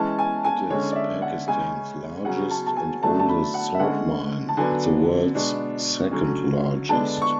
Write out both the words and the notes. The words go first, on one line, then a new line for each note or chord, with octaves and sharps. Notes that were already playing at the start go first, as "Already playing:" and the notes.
It is Pakistan's largest and oldest salt mine and the world's second largest.
Already playing: E3 G#3 C#4 A5
G#5
G#5
D3 G#3 C#4 C#5
D5
E5
F#5
C#3 G#3 C#4 G#5
C#3 F#3 C#4 F#5
A5
A5
G#5
D3 F#3 A3 D4 A5
A5
B5
F#5
E5
D3 G#3 C#4 F#5
A5
D3 F#3 B3 D4 G#5
B2 G#3 B3 D4
D3 F#3 C#4
D3 G#3 B3 D4 A5
C#6